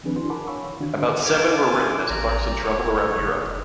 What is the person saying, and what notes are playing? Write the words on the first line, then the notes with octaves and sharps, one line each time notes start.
About seven were written as Clarkson travelled around Europe.
D#3 F3 C4 D4 G#4 B4
D4 E4 F#4 C6
A#4 F#5 G#5 A5 B5 D6
C#5 F5 B5 C#6 E6
D3 D#3 D4 F#4
F4 G#5 D6
A1 D5 A#5
E1 C#5
F#1